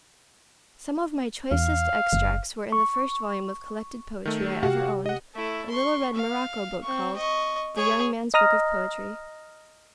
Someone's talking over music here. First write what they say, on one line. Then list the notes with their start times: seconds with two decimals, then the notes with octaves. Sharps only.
Some of my choicest extracts were in the first volume of collected poetry I ever owned, a little red morocco book called "The Young Man's Book of Poetry."
1.52 E2 F5
2.13 F#1
2.72 C#6
4.25 D#3 A3
4.41 G4
4.63 C3 F#4 G4 F5 F#5
5.06 D#5 F#5
5.34 A3 E4
5.69 C6 C#6
6.15 F5
6.83 C4 C#6
7.17 D#5 C#6
7.76 G#4 C#5
8.34 D#5 A#5 D#6 F6 A#6